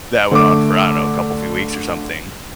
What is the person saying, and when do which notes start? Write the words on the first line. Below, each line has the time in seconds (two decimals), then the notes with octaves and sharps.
that went on for, I don't know, a couple few weeks or something,
0.31 D3 A3 D6